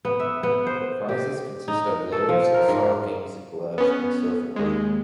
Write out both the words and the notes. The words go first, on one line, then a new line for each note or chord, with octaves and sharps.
The prizes consist of loaves, stockings, gloves, and so forth.
B3
E5
B3
C5
G4
D#4
A4
F3
A#4
G#2
B3 C#4
D#2 G#3